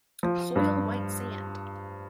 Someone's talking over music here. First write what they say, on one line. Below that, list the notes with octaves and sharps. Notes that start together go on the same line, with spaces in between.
Soil white sand.
F3
G2